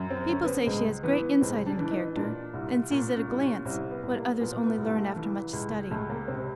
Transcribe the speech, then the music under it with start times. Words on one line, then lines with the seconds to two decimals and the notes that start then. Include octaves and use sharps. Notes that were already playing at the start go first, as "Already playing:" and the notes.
People say she has great insight into character, and sees, at a glance, what others only learn after much study.
Already playing: F#2
0.10 C4
0.29 D3 C#4
0.44 B3
0.48 C4
0.66 C#2 G#3
1.03 E3 B3
1.41 C#2 C4
1.66 D4
1.78 E3 D4
1.91 D#4
2.16 A#2 D4
2.54 C2
2.91 A#2 C#4
3.16 C#4
3.28 C2
3.41 C#4
3.65 C2 C4
3.91 B3
4.03 C2
4.16 A#3
4.40 A#2 B3
4.66 B3
4.78 C2
4.91 A3
5.16 E3
5.53 C#2
5.91 C#2 A3
6.10 A#3
6.28 C3 C4